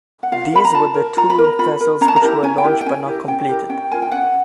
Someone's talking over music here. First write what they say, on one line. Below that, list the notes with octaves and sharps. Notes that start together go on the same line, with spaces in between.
These were the two vessels which were launched but not completed.
F#5
F4 F5
A#4 B5
A#5
F4 A5
A#4
F4 A#5
B5
A#4
A#5
F4 B5
A#4
C#4 A#5
A5
A#5
E4 G4 A#4
C#4 G#5
G5
E4 G4 A#4
G5
C#4 G#5
E4 G4 A#4
C#4 G5
E4 G4 A#4
C#4 G5
F4 A#4 G#5
G5
C#4 F#5